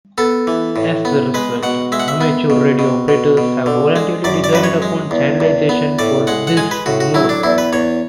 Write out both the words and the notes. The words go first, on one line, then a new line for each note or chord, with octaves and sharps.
As a result, amateur radio operators have voluntarily decided upon channelization for this mode.
B3 A4
E3
A2
B3
G#3 B4
B2 F#5
G#3 E5
F#5
E5
B3
B2
B2
B2
B2
D3
G#3
F#2 D5
D5
F#2 B4
C#5
G#3
E2
E2
B3
A2 D5
G#3 F#5
F#5
G#3 G#5
B4
A2 F#4
F#4
F#3 E4
D4
E2 E4
B4
E2 C#5